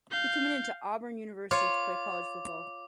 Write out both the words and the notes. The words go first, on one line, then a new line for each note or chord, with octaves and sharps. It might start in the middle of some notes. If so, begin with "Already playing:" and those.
He committed to Auburn University to play college football.
F5 G6
F4 C#5 D6